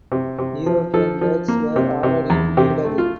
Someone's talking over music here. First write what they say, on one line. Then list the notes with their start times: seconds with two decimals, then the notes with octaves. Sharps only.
European dates were added in July.
0.12 C3
0.39 C3
0.66 F3
0.94 F3 A4
1.21 F3
1.48 A#3
1.76 C3
2.03 C3
2.30 E2
2.57 C3 G4
2.84 A3
2.98 F4